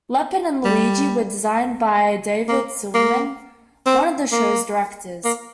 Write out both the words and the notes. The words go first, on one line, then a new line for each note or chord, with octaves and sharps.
Leopold and Luigi were designed by David Silverman, one of the show's directors.
G3
A#3
A#3
C4
A#3
A#3